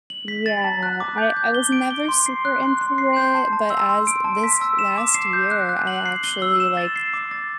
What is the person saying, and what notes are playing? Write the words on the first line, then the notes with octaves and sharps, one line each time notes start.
Mm. Yeah. I I was never super into it, but as this last year, I actually, like,
F#7
B6
A6
A5
F#6
D6
G6
G6
G7
D7
G7
C6
C7
F#6
C6
C6
C7
G6
A5
A5
E6
C6
D7
A5
B6
E6
E7
D6
C7
G6
F#6
F#6
F#7
C7
G7
E6
E7
A6
C7
D6
A6